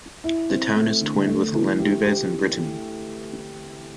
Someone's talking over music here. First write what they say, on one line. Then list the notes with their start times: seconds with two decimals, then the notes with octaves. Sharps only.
The town is twinned with Landunvez in Brittany.
0.24 E4
0.50 C4
0.76 A3
1.01 D3
1.27 A3
1.54 E3
1.79 G4
2.05 G4